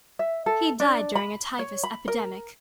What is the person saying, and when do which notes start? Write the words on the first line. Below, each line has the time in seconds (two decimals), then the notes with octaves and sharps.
He died during a typhus epidemic.
0.19 E5
0.46 A4
0.80 D4
1.15 B5
1.59 C#5
1.84 B5
2.08 A#4